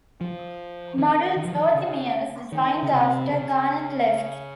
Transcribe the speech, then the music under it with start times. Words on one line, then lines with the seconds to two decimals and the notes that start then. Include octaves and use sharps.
Model Jodhi Meares joined after Garnett left.
0.21 F3
0.98 D#3
1.37 D#3
1.45 F3
1.53 D#3
1.75 C#3
2.52 D#3
2.83 C#3
2.91 C3
3.29 C#3